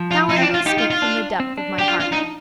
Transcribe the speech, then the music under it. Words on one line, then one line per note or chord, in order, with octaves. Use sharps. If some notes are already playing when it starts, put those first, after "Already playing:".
But now I will speak from the depth of my heart.
Already playing: F3
F4
D#4
C4
D4
F4
D#4 G4
F4
F4
D4
C4
D4
G4
F4
F4
D#4